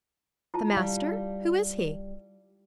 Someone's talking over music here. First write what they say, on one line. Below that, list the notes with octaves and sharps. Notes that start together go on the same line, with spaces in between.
"The master?--who is he?"
E4 F4 A5
G3 F5